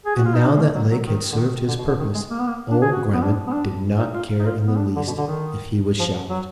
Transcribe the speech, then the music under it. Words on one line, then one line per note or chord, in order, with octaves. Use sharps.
And now that Lake had served his purpose old Grammont did not care in the least if he was shelved.
G#4
F#4
F4
D#4
D4
G#3
A#3
F#3
F#3
D#3
D3
D#3
D3
B2
D3
D#3
G#3
A#3
B3
A#3
D4
G#4
F#4
B3
D4
B3
D4
D#4
F4
D#4
F4
B3
D4
D3
B2
D3
D#3
F3
F#3